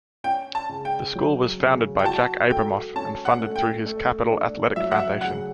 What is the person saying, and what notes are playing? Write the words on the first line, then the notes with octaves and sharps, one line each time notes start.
The school was founded by Jack Abramoff and funded through his Capital Athletic Foundation.
C#4 G5
A5
C#3
G5
F#3
C#3
G5
F#4 A5
A4 G5
C#4 A5
F#5
A3
G5
A3
D4
F#3 E5
F#5
E5
C#3 F#5